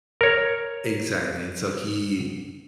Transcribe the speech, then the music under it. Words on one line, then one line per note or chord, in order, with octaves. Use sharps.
Exactly and so he
A#4 C#5